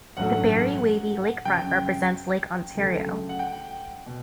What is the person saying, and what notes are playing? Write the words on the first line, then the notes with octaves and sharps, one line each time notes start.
The barry wavy 'lakefront' represents Lake Ontario.
A1 G2 F#3 A3 F#5
F#2 C#3 F#3 G5
D2 C#3 F#3 A3
F#5
G5
B2